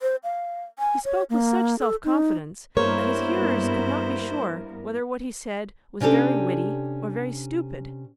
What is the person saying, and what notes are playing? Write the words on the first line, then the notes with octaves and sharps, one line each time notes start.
He spoke with such self-confidence that his hearers could not be sure whether what he said was very witty or very stupid.
C5
F5
G#5
C#5
A#3
A4
D#4
G2 A#3 B3 E4 A#4 C5 C#5
C3 C#4 D4 G4 A4